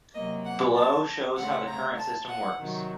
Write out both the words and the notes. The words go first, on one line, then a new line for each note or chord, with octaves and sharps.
Below shows how the current system works.
C3 F#3 A#3 D#5
F#5
A5
C#3 A3 C4 F#5
A#5
A5
F#5
C3 D#3 F#3